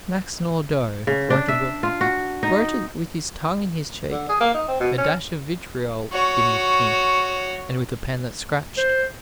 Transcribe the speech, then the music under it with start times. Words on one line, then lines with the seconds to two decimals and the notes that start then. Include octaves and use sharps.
Max Nordau wrote a book--wrote it with his tongue in his cheek, a dash of vitriol in the ink, and with a pen that scratched.
1.07 C#3
1.30 D4
1.48 E5
1.83 F4
2.01 F#4
2.43 D#4
4.11 D3
4.29 G#4
4.40 A#3
4.54 D#4
4.68 C4
4.80 B2
4.98 C#4
6.12 F#4 C#5
8.77 C5